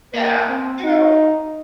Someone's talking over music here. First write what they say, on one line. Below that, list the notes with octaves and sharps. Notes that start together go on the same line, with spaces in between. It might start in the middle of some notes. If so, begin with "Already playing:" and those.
Yeah, you know?
A#3
C4
D#4